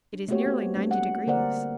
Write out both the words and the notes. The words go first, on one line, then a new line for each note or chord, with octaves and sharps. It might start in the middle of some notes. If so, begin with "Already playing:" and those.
It is nearly ninety degrees.
D4
A3 A#3 C4 F#4 G4 C#5
B3 F#4 C5
G3 A3 C4 D4
F#5
D3 A#3 A#4 C5 D5 F#5